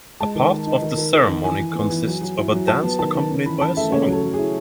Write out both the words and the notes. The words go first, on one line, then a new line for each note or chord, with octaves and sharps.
A part of the ceremony consists of a dance accompanied by a song.
G#3 A5
D#3
D#3
D#4
D#3
D#3
D#3
D#3
E3 G#5
E3
B3
E3
F#3
F#3
E4
F#3
F#3 A5
B3
D#3 A5
D#3
C#4
E3 B5
C#4 A5
A3 E5
C#3 C#5
F#3
A4
F#3
E4 G#4